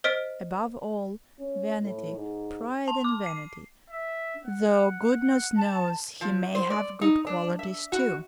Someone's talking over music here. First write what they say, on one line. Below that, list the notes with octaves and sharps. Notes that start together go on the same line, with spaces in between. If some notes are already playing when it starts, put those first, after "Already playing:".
Above all, vanity, pride and vanity, though goodness knows he may have good qualities too....
C5 D#5 F6 B6 D7
C#4
A2
G#2
A5
D6
C7
E5
F#5
A5
F3
C5
D5
D#4
D4
E5
F#4